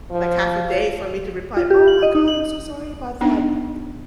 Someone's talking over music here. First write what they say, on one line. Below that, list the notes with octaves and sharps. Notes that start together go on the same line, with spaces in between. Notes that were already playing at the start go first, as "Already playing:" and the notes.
like, half a day for me to reply, "Oh my god, I'm so sorry about that, eh eh
F3
F4
G4
F#7
D#5
D#4
F#7
B3 D4 D#4